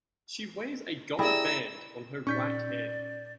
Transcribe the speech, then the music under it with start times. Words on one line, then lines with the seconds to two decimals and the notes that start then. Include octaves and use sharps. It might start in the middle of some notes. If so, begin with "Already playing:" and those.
She wears a gold band on her right hand.
1.19 E4 G4 G#4 D5 A#5 E6
2.27 A#2 C#4 D#4 D5 C#6 G6 B6